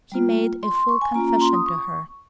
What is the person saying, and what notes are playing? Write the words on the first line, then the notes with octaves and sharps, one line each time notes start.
He made a full confession to her.
G3 A#3 F4
C6
C6
C#6
G#5
A#3 C#4 F4 A#5
A#5
C6
D#6
C#6